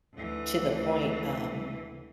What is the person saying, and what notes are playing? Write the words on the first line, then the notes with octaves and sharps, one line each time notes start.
to the point, um
D2 E3